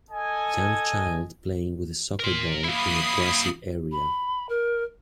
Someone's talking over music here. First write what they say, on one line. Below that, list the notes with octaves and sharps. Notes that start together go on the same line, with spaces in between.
Young child playing with a soccer ball in a grassy area.
A4 D#5 G#5
A#4 C6
A#3 E4 B5 D#6 C7
B5
A#4